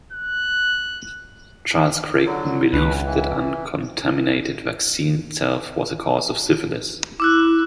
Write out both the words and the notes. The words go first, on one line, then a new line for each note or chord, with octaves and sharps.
Charles Creighton believed that uncontaminated vaccine itself was a cause of syphilis.
F#6
D3 F#3
C#2 B2 B4
E3
E4 D6 E6 F#6